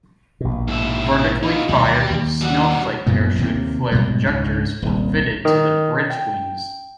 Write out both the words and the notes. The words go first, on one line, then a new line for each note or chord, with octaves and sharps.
Vertically fired "snowflake" parachute flare projectors were fitted to the bridge wings.
A#1 B2
G#2 E4
D#4 F4
D2 B2 D#3 G3
D#2
G3 F#4
F1 F#2 A#2 B3
D#2 C3 A#3
G#2 B2 G3
C#2 G#2 C#4 D4
D#1 C2
D#3
G5